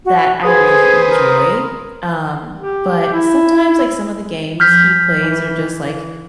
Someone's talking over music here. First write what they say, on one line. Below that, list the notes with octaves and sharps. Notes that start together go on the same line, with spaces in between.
that I really enjoy. Um, but sometimes, like, some of the games he plays are just, like,
F#4
G#4 B4 C5 D#6
A#4
G4
E4
F3 F6 G6 B6
E3